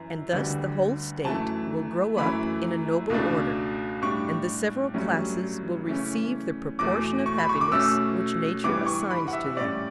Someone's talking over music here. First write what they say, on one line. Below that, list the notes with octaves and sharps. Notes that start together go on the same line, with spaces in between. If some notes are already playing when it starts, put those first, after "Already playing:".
And thus the whole State will grow up in a noble order, and the several classes will receive the proportion of happiness which nature assigns to them.
Already playing: F#2 E3
D2 D3 G3 B3 D4
F#2 E3 A3 A5
F#2 E3 A3 B5
C#2 B2 A3 D4
A2 G3 D4 C#6
G2 F#3 A3 C#4
C#3 E3 A3 C#4
E2 B2 A3 D6
C#6
B5
C#6
D6
B2 A3 C#4 E6
G2 E3 G3 B3 D6
C#6
B5
F#5
E5
A2 G3 C#4 D5